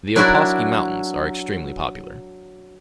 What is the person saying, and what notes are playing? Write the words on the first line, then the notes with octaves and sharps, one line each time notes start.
The Opawskie Mountains are extremely popular.
F#3 D4 E4 F#4 A#4 D5